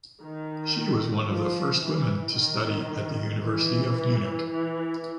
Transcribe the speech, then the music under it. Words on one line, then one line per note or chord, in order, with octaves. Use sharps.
She was one of the first women to study at the University of Munich.
D#3
F3
E3
D#3
E3
E3